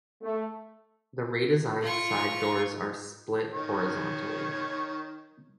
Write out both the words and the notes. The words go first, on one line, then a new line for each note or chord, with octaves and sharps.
The redesigned side doors are split horizontally.
A3
F4 C#6
D#3 C#5